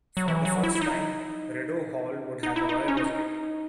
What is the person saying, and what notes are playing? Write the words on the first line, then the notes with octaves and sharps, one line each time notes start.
For the first time, Rideau Hall would have a royal resident.
F#3
E3
F#3
E4
E4
D#4
D#4
E4
D#4
C#4
D#4